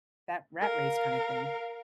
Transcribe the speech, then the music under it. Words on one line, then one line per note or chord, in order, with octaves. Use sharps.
that rat race, kinda thing.
A#4 F5